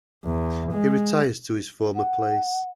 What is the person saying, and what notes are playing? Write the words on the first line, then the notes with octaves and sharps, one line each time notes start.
He retires to his former place.
E2
G#3
F#5